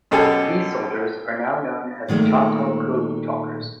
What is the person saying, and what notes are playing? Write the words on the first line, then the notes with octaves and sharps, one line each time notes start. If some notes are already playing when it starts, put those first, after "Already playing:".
These soldiers are now known as the Choctaw code talkers.
F#2 B2 G4 A4 G#5
A#2 D#3 G#3 A3